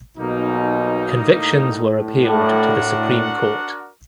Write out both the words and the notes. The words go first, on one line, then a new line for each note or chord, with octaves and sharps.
Convictions were appealed to the Supreme Court.
B1 B2 G3 A#3 D#4
A2
A2 D4 F#4 A#4 D5 F#5
A2